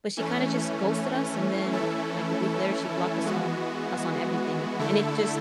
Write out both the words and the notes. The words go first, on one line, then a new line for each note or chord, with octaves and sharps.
but she kinda just ghosted us and then, like a week later, she blocked us on us on everything, and and it just
E3 A3 C#4
E3 A3 C#4 E4 A4
E3 G#3 B3 F#4
D3 A3 E4 A4